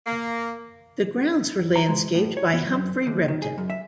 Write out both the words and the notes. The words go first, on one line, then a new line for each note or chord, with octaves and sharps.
The grounds were landscaped by Humphry Repton.
A#3
A#5
G#3
A2
C#5
B3
F#2
D#2
D#3
G#4
F#2
E5